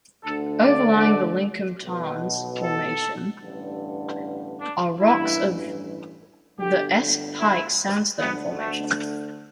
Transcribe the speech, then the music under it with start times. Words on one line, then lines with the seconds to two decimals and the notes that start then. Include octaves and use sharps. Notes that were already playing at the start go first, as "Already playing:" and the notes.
Overlying the Lincomb Tarns Formation are rocks of the Esk Pike Sandstone Formation.
0.23 D2 D3 A4
0.63 D5
1.82 B1 B2
2.62 A4
3.42 A1 G2 D3
4.61 D4
5.00 A1 G2 E3 E4
6.59 G1 G2 D3 G4
7.39 E4
8.18 D2 D3 B3
8.58 A3